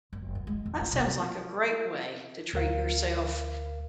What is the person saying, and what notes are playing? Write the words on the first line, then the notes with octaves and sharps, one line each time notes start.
That sounds like a great way to treat yourself,
F#1
F#2
G#3
F2
F3
C3
D2 A#4 F5